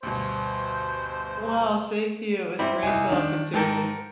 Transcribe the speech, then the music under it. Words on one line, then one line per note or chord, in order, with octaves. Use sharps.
Well, same to you, it was great talking to you.
D2 G2 B2 C5
G3 C4 E4
C2 D#4 G#5
D#3 D4
G#2 G4 A4 A#4